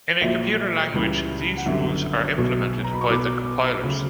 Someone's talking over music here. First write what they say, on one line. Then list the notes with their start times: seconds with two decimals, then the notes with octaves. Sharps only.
In a computer language, these rules are implemented by the compilers.
0.21 A#1 A#2 F#3 E5
0.94 C#2 C#3 E3 G3
1.57 F#5
1.66 G1 F#2 D3 E5
2.38 B1 B2 F#3
2.84 A#5
2.93 B5
3.01 C#6
3.10 B1 B2 F#3 B5 D6
3.82 D2 C#3 F#3